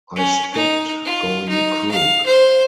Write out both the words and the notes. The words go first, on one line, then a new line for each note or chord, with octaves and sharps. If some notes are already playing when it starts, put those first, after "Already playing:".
I stopped going crook.
C#4
D#4
F4
D#4
F5
C5